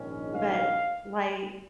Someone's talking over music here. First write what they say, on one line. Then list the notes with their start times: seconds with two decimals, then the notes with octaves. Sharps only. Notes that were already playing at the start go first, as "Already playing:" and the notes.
But, like,
Already playing: A#1 G#2 D#3 G#3 C#4
0.35 F5